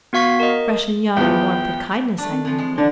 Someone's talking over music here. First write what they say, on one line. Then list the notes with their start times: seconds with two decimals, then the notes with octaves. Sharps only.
'Fresh and young in warmth and kindness, I mean.
0.13 B3 F#4 F5 C#6 B6
0.40 A#4 D#5
1.17 E2 F3 B3 G5
2.18 A3 D4
2.31 C4
2.45 E3 F3 C4
2.58 G#3
2.78 D3 D4 D5